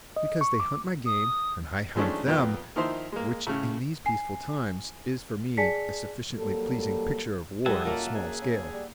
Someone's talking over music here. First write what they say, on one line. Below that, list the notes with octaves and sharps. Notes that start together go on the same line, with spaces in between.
"Because they hunt my game, and I hunt them--which, in these peaceful times, is for me a sufficiently pleasing picture of war on a small scale."
D#5
C#6
D6
D#6
D#3 F3 G#3 A3 C#4 D4
F2 A#2 B3 G5
D#3 F3 D#4 E4 C5 C6
G#3 A#3
A2 C#3
G#5 C7
G#4 D5 G#5 A5 B6 C#7
F#3 G3 A#3 A4
G3 G#4 A4 D#5 E5 F#5 A5
F#2 A#3 F4 A4 A#4
F#2 G#4
C#3
G3